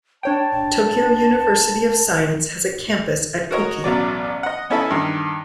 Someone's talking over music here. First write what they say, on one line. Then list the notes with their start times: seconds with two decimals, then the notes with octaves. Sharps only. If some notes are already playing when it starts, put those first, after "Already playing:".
Tokyo University of Science has a campus at Kuki.
0.23 D4 C#5 G5 A5
3.51 F#4 A#4 C#5 D#5
3.84 A1 B2 F#3 D5
4.43 D#5 F#5
4.70 B3 C#4 D#4 E4 A4 E5
4.90 G2 D#3